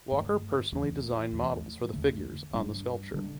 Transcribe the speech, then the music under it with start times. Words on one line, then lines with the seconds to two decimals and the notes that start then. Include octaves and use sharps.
Walker personally designed models for the figures on the sculpture.
0.12 G2 D3 A3
0.72 E2 E3 A3
1.33 E2 E3 A3
1.93 E2 D3 A3
2.54 G2 G3 D4
3.14 D3 G3 D4